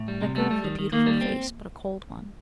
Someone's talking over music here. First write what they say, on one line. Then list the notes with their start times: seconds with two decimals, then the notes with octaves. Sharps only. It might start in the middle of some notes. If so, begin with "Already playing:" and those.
That girl had a beautiful face but a cold one.
Already playing: A2
0.08 G3
0.22 C3
0.36 G3 A3
0.51 G3
0.64 D#3
0.79 D#3
0.92 D#3 A#3
1.07 G3
1.21 C4